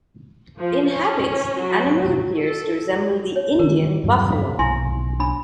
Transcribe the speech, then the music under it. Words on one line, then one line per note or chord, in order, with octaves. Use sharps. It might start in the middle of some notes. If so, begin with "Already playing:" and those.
In habits, the animal appears to resemble the Indian buffalo.
F3
C#4
F#3
A4
C#5
D#3 E3 A#4
E2 G2 F#3
F5
B1 E4 G#5 C6
D4 B5